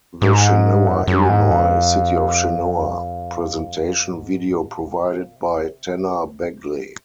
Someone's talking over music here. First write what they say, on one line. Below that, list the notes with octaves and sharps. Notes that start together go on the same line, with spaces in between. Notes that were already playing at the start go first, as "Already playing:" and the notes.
The Chenoa Illinois, City of Chenoa Presentation video Provided by Tanner Bagley.
G#2
F#2
F#2
G#2
F2
G#2
A#2
C3